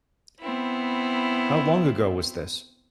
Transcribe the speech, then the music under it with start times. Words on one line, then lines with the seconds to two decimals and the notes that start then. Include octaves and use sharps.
How long ago was this?
0.40 B3 C4 E4